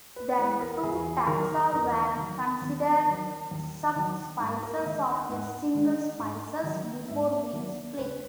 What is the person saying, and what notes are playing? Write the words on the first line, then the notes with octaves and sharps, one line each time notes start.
The two taxa were considered subspecies of a single species, before being split.
B4
E3 G#3 B4
A#4
E2 G#4
D#3 F#3 A#4
E2 A#4
D#3 F#3
D#2
D#3 F#3
D#2
D#3 F#3
G#2
A#4
D#5
D#3 G#3 E5
F#5
G#2 F#5
D#3 G#3
G#2
D#3 F#3
G#2 E5
D#3 F#3
C#2 B4